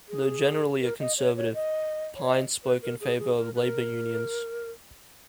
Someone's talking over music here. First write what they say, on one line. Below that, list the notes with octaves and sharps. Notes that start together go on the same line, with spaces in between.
Though generally a conservative, Pyne spoke in favor of labor unions.
G#4
A#4
D#5
C#5
C#5
D#5
C#5
D#5
B4
A#4
G#4
G#4
A#4
B4
A#4